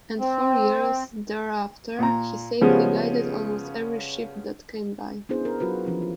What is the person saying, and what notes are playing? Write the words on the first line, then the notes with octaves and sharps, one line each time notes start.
And for years thereafter, he safely guided almost every ship that came by.
C4
A#2 A#5
C#3 F3 G3 G#3 B3 C#4
B3 C#4 D4 E4 G#4 C5
A#4
F#3 F4 F#4 B4
E3 F3 C#4 E4
F4